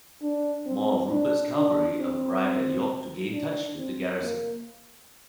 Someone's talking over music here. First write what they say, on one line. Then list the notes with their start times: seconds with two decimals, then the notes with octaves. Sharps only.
More of Rupert's cavalry arrived at York to gain touch with the garrison.
0.21 D4
0.66 C4
1.11 D4
1.56 D4
1.99 C4
3.32 D4
3.77 C4
4.22 A#3